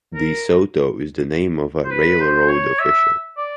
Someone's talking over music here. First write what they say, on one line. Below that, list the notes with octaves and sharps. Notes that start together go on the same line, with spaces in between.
De Soto is the name of a railroad official.
A#4
C5
B4
C5
C#5
E5
D5